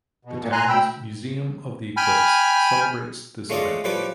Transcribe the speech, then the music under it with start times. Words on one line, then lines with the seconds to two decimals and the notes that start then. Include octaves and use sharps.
The town's "Museum of the Eclipse" celebrates this event.
0.25 B2
0.40 A#2
0.52 G#5 A#5 C6 F#6
0.69 D2 G5 B5 E6
1.97 G5 G#5 B5 F6
3.50 G#3 A3 C#4 F4 D5 D#5
3.84 A2 F3 G3 C#4 B4 D6